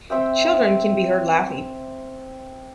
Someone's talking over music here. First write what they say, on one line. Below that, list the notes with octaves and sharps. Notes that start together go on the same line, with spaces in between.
Children can be heard laughing.
C4 E5 G5